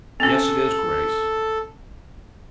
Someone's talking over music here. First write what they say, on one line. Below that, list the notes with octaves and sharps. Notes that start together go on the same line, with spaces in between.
Yes, it is, Grace.
C4 C#4 A4